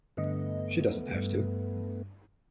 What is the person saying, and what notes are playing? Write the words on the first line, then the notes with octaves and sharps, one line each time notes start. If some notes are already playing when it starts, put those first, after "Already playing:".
She doesn't have to.
G2 D3 A3 B3 D#5
G2